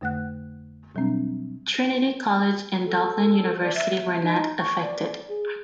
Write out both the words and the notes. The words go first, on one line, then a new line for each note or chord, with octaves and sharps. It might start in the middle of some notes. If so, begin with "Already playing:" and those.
Trinity College and Dublin University were not affected.
F2 D3 A3 F#5 F#6
B2 F#3 G3 C4 D4
A4
D5
E5
D#4
C#6
D5
G#4